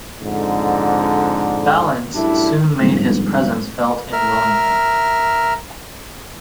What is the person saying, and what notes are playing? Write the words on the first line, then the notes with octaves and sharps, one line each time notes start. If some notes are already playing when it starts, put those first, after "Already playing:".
Ballance soon made his presence felt in Wellington.
F2 G#2 D3
F#2 A2 G3 D4 E4
G#2 D3 F3 G3 B3 G4
A#4 E5 F6